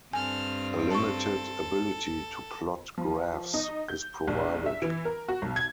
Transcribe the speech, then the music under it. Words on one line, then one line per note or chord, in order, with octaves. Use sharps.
A limited ability to plot graphs is provided.
G2 C4 A4 G#5 F6
A4 A5 C#6
F3
D#4
G6
A#1
E5
E3
A#4
F#4
B1
G#6